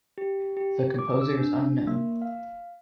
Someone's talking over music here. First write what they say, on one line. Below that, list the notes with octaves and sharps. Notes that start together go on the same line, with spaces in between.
The composer is unknown.
G4
G4
D6
E6
D4
A#3
F5